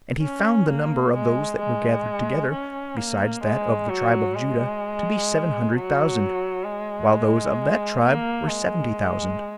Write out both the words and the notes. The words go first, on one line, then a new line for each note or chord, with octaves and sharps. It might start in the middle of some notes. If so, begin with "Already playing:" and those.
And he found the number of those that were gathered together, besides that of the tribe of Judah, to be seven hundred thousand, while those of that tribe were seventy thousand.
C#4
A#3
G#3
G#3
C#4
A#3
G#3
F#3
G#3
F#3
G#3
A#3
G#3